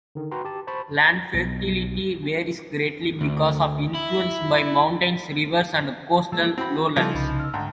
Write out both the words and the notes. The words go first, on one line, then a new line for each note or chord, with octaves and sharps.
Land fertility varies greatly because of influence by mountains, rivers and coastal lowlands.
D3 D#3
F#4 B4 G5 A#5 C6
G4 A5
C5 A5 B5 C#6
B1
D2
E4
F3 G#3 A#3 A5 E6
C4 E4 F#4 B5
C#3 E3 F3 G3 D#4 A4
C2 C3 B5
E6 F6
D2 G#2 F#5 G5 A5 A#5